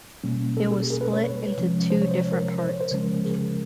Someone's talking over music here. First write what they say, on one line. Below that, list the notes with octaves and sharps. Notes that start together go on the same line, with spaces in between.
It was split into two different parts.
B2 G3 A#3 C#4
A4
G#4
G4 A4
G#4 A#4
A4 B4
B4 C#5
B4 C#5
C3 F3 G#3 C#4
C5
C#5
C5
C#5
A#4 C5
C5
C#5
A#4 C5
C#3 F3 G#3 C#4
G#4 A#4